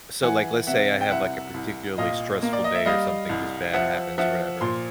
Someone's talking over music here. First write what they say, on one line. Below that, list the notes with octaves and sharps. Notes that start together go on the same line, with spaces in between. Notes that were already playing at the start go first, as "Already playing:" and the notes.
so, like, let's say I have, like, a particularly stressful day or something, just, bad happens, whatever.
E3 F#5 G#5
C3 E5 F#5
G5
C2 E5 F#5
C2
A#2 D#5 F5
A#3
D5
D#5
E5
G3 D#5 F5
C2
F3 E5 F#5
F3 E5 F#5
A#2 C6